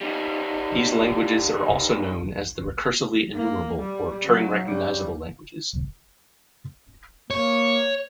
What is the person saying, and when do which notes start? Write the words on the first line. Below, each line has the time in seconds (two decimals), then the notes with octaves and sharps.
These languages are also known as the "recursively enumerable" or "Turing-recognizable" languages.
0.01 G3 D#4
3.33 A#3
3.79 G3
4.23 C#3 F#3
4.64 C#3 G3
7.30 A#3 C#5